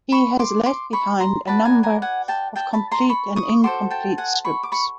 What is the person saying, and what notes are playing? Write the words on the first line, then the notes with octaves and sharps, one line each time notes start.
He has left behind a number of complete and incomplete scripts.
B5 C#6
C6 D6
C6 D6
B5 C#6
A#5 C6
F#4 B4 D5 A5 B5
G#5 A#5
G#5 A#5
F#5 G#5
G5 A5
G5 A5
A5 B5
A#5 C6
B5 C#6
C#6 D#6
F#4 A4 C5 C6 D6
G5 A5
F#5 G#5
B5 C#6
D6
B5 C#6